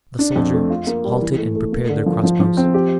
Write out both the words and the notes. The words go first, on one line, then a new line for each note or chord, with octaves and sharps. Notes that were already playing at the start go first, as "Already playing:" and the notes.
The soldiers halted and prepared their crossbows.
D4
F2
A3
F4
A#3
G3
E3
A3
A3
A#3
D3
F3
F3
F3
C4
G4